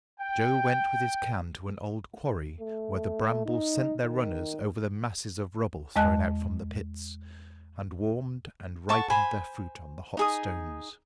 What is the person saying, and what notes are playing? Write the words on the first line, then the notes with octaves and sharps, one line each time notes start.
Joe went with his can to an old quarry where the brambles sent their runners over the masses of rubble thrown out from the pits, and warmed and ripened their fruit on the hot stones.
G5
A3
D#4
D#3
E2 G#3 D#5 A5 F#6
A4 F#5 A5 C#6
C5 G#5 B5
D#4 G#4 D#6